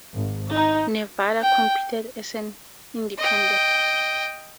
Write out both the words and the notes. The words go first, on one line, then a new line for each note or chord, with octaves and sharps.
Nevada competed as an independent.
G#1
D#4
G5
D#5 G5